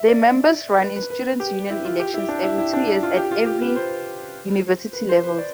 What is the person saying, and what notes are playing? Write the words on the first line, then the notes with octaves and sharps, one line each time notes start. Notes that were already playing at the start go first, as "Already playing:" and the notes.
Their members run in students union elections every two years at every university levels.
Already playing: E5
D5
B4
B4
B4
G4
E4
F4
G4
E4
D4
E4
E4
D4
E4
F4
G4
F4
G4
B4
C5
B4
C5
B4
D5